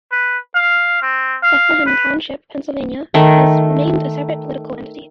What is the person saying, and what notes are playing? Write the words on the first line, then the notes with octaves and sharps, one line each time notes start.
Bethlehem Township, Pennsylvania has remained a separate political entity.
B4
F5
C4
F5
B4
D#3 A3